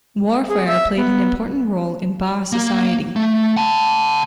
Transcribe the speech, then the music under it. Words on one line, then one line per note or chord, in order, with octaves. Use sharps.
Warfare played an important role in Ba society.
G#4
E5
B3
A#3
A3
F#5 A5